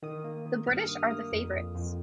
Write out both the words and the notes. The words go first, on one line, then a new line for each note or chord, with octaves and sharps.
The British are the favorites.
D#3 D#6
A#3
D#3
G2 F6
G2 D#6
A#3 D#6
F2
F2
F2